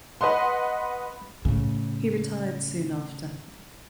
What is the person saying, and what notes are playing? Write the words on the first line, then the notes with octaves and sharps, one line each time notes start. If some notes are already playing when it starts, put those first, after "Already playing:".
He retired soon after.
B4 D#5 F#5 C6
A2 C#3